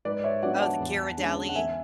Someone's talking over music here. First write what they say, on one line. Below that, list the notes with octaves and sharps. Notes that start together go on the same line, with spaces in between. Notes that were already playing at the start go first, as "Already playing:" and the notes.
Oh, the Ghirardelli?
G#2 B4 D5
C#5 E5
F#3 B3 D4 D5 F#5
F#5 A5
E2
D3 G#3 C#4
F#5
E2 E5 G#5